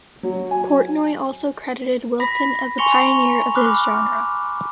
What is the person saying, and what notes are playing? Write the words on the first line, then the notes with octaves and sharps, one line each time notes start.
Portnoy also credited Wilson as "a pioneer of his genre".
F#3
G#5
B5 A#6 B6
G#5 C6 C#6 C#7 F7 G7
A#5
B5 D6 F6 F#6